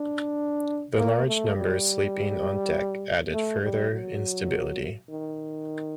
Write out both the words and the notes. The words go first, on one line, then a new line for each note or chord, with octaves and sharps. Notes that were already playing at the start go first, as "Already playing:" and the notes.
The large numbers sleeping on deck added further instability.
Already playing: D4
A#3
A3
G3
A3
G3
F#3
D#3